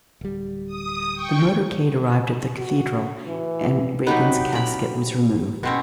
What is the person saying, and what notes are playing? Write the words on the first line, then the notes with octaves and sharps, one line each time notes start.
The motorcade arrived at the Cathedral and Reagan's casket was removed.
D1 G3
D#6
G5 C#6
F#4
E3
F#3 B3 D#4 G4 B4
A#4 B5
B2 C4 C#4